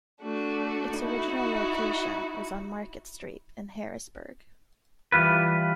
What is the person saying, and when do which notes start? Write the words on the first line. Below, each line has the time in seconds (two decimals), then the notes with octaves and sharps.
Its original location was on Market Street in Harrisburg.
0.21 A3 D4 F#4
0.97 D#4 E4 F#4
5.12 E3 G3 F4 B4